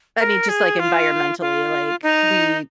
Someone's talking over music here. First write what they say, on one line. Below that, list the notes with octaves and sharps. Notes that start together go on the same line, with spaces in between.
I mean, just, like, environmentally, like, we
A#4
G#4
F4
F4
D#4